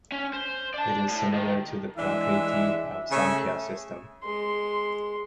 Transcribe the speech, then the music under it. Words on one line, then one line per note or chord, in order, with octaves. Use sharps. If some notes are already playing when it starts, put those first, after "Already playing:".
It is similar to the Prakriti of Samkhya system.
C#4
C5
D5 A5
A2
D#3
E3 G#3 D4 E5
C#3 A3 C#5 E5 G#5
G#3 C6